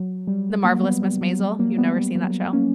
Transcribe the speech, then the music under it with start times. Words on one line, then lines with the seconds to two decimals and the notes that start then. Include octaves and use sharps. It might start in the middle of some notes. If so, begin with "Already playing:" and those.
"The Marvelous Mrs. Maisel"? You've never seen that show?
Already playing: F#3
0.27 G3
0.64 F#3 A#3
0.83 G3 B3
1.02 G3
1.21 F#3
1.40 G3
1.59 F#3 A#3
1.77 G3 B3
1.96 G3
2.15 F#3 A#3
2.53 A#3 C#4